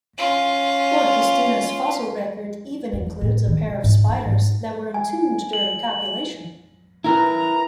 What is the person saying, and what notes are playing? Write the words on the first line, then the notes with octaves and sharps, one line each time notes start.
"Orchestina"'s fossil record even includes a pair of spiders that were entombed during copulation.
C#4 F4
E2
A2
D#3
B2
G#2
D#4
G#2
G#5
F#7
E4 A#4 B4 A#5